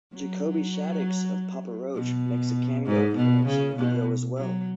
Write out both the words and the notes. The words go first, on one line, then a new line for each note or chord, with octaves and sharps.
Jacoby Shaddix of Papa Roach makes a cameo appearance in the video as well.
F#3
B2
G#2
B2
C#3
B2
F#3